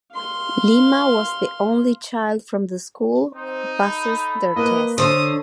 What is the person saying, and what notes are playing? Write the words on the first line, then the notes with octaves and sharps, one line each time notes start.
Lima was the only child from the school who passed their test.
F5 C6
C4 D#4 C5
A4 B5
A#3 B4 D#5
D3 C5 C#5 C6 D#6